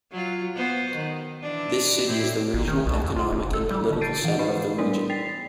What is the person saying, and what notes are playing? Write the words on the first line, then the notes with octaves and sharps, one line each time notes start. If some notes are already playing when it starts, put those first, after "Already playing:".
This city is the regional economic and political center of the region.
F#3 F4
B3 F#4 C5
D#3
E3 D4
A2 C4 E4
G#1
D#3
B1
E2
F4
F#1
A4
G3
D3 A5
G6 A6 C7 D7 D#7
E3 F#5
E3 B4 D#5 B5
G3 B3 D4 A#4 D5
G5 A6 B6 C7 F7